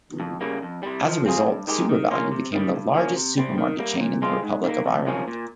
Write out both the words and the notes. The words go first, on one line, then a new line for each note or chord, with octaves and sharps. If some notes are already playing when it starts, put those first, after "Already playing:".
As a result, SuperValu became the largest supermarket chain in the Republic of Ireland.
F2
C#3 G3 A#3
F2
C3 G3
F3
C4 F4 G#4
G2
D#3 G#3 D#4 G4
D#3
A#3 C#4 F4
C3
D#3 G3
G2
F3 A#3 C#4
C3
G3 C4
D#3
G3 A#3
A#2
G#3 C4 F4
G#2
D#3 G3 A#3
F2
C3 F3 A#3 C#4
A#2